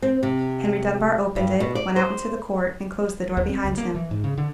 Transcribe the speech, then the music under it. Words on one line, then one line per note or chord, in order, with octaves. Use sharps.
Henry Dunbar opened it, went out into the court, and closed the door behind him.
C4
C3
G2
B2
D5
C5
D#2
C4
C#2
A#3
E3
G#2
C#3
D3